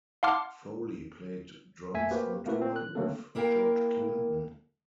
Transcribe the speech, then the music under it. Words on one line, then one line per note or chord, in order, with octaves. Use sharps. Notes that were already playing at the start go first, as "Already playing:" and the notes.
Foley played drums on tour with George Clinton.
F5 F#5 A5 C6 D6 F6
F2 A3 E5 G#5 B6
A#3 F#4 G4 B4 C5
A3 A#3 C4 E4 F#4 B4
C4
F#6
D3 F#3 A3 A#3 C4 A4
A#3 E4 A#4 F5 G5